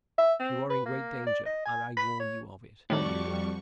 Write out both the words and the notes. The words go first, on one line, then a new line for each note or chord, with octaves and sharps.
You are in great danger, and I warn you of it.
E5
C4
B4
A#3
D5
D#5
G#5
B5
C#5
F2 A2 D#3 G3 F#4 A4 D5 C#6